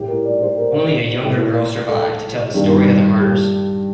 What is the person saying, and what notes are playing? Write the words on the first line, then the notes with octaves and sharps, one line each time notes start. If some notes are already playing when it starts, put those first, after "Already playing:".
Only a younger girl survived to tell the story of the murders.
Already playing: A2 G4
A#4
D5
C5
A#4
A2
A4
G2 D#3
G4